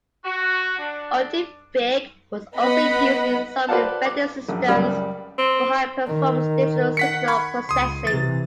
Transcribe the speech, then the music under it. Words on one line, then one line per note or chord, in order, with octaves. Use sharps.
AltiVec was also used in some embedded systems for high-performance digital signal processing.
F#4
D4
B3 B4 D#5 F#5 B5
B4 C5 D5 F5 F#5 A5
D6
A#1 F#2
C#2 F#2 G3 B5 F6
C4
D#3
F#5 B6 C#7
B5 C#6 G#6
C#2 C6 D#6
C3 E3 A6